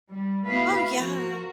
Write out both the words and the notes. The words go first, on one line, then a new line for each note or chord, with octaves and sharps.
Oh, yeah.
G3
A3 B3 E4 F#4 B4 F5
F3 F#4 A#4